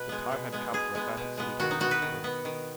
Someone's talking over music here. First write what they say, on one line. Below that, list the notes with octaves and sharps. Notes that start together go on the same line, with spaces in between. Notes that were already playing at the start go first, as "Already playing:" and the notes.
The time had come for Atlantic City to have a hospital.
Already playing: B2 B4
G#3 B3
B2
G#3 B3
B2 G#4
G#3 B3
B2
G#3 B3
D#3 F#4
D#4
B3 F#4
B4
D#3
B3
D#3